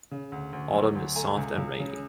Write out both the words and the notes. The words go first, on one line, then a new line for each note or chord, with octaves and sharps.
Autumn is soft and rainy.
C#3
D2
D2
F#3
D2
A3 G#5 A#5
C#2
C#2
C#3